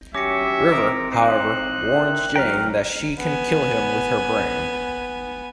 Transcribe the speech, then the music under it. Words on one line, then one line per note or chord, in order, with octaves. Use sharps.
River, however, warns Jayne that she can kill him with her brain.
D#2 F#3 C#4 G4 E5 D6 A#6 C#7
C4 A#4 D6 D#6 D7
D#4 C5 F#6
A#4 E5 G5
F#1 F#3 G5 A#5 F6 A#6 B6
B3 G#5